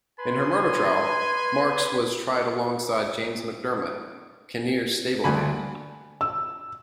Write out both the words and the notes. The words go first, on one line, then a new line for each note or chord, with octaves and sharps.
In her murder trial, Marks was tried alongside James McDermott, Kinnear's stable hand.
B4 G#5 C6
D2 D3 G3 A#3 G#5 B5
E6